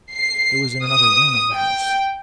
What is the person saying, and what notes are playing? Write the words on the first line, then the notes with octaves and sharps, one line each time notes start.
It was in another wing of the house.
C7
D#6
G5